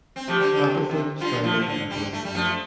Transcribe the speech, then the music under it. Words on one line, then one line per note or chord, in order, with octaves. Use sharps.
Appleton strangled and burned Wood.
C4
F3 A3 G4
D3 G3
D3
C3
D3
C3
D3 G3 F4
F3 A3
F3
D3
D3 G3
A3
G3
F3 A3